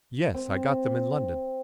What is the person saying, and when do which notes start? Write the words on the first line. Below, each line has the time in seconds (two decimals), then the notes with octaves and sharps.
"Yes, I got them in London."
0.34 C4